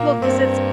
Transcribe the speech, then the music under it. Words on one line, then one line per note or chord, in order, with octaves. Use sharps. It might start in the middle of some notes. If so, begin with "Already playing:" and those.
Well, 'cause it's
Already playing: A#2 A#3
G2 C4